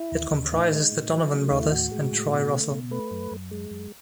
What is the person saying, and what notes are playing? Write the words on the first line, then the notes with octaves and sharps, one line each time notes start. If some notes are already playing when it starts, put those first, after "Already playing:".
It comprises the Donovan brothers and Troy Russell.
Already playing: E4
D#2
D#2
A2 D#4
G#3
A2
F#3
A3
D#2 D#4
E4
A2 F#4
G#3
A2
B2
A3
B2
A3 B4
F#2
F#2
G#3
F#2